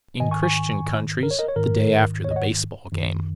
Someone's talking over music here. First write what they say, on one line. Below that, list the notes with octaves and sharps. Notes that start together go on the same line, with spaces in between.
In Christian countries, the day after the baseball game.
G#2 D#3 D#5 G#5
G#5 C#6
G#5 C#6
A#4
C#5
A#4 D#5
C#5
G#2 D#3 A#4
C#5
D#5
C#5 F#5
F#2 D#3